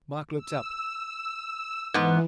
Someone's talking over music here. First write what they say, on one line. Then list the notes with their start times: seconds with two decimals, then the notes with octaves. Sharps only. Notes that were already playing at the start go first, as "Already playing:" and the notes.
Mike looked up.
0.36 E6
1.94 G#2 E3 B3